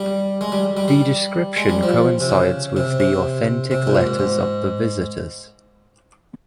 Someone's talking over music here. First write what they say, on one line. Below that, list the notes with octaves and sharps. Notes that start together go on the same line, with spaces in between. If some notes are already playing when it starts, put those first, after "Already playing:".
The description coincides with the authentic letters of the visitors.
Already playing: G3
G#3
G3
G3
G3
G#3
G3
F3
C3
C#3
C3
C3
C3
A#2
G#2
G#2